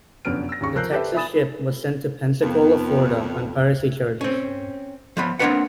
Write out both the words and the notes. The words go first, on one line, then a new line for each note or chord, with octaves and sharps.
The Texas ship was sent to Pensacola, Florida, on piracy charges.
F1 F#2 D3 B3 F6 D7
E6 A#6
D#2 C#3 C#6
F3 A#4 E6 F#6 G6 C7
G4 A4 B4 C5 E5
E5 G#5 B5 D#6 A6 E7
F2 B3
C4 C#4
F3 B3 B5
A#3 C4 D4 A#4 B4 F#5